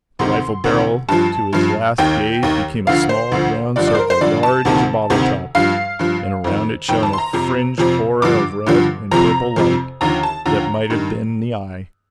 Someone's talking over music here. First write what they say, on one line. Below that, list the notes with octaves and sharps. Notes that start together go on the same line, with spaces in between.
The rifle barrel to his last gaze became a small, round circle, large as a bottle top, and around it shone a fringed aura of red and purple light. That might have been the eye.
D2 C3 D#3 C6
D2 C3 D#3
G2 F3 A5
G2 F3
D#2 D#3 G5
D#2 D#3
D2 D3 F3 F5
C5
D2 D3 F3
G2 D3 F3 D5
D5
C5
A#4
C5
G2 D3 F3 D5
A5
D2 C3 D#3
D2 C3 D#3
G2 F3 F5
G2 F3
F2 D#3
F2 D#3 G5
A5
C6
A#5
F2 C3 F3
F2 C3 F3
G2 D3 F3 D6
G2 D3 F3
F2 C3 F3 A#5
F2 C3 F3
D#2 D3 F3 A#5
A5
D#2 D3 F3 A#5
G2 D#3